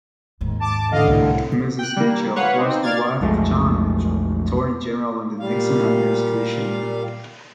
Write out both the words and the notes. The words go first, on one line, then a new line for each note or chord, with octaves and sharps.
Mrs. Mitchell was the wife of John Mitchell, Attorney-General in the Nixon administration.
D#2 G#2
A5 D6
A1 D3 D#5 F5
C2 A2
G5 F#6
G3 A#3
B4 C#5 F5 F#5
C4 D#4
D5 F5 F6 G#6 A6
B1 F2 G#3 A3
A#2 G3 F5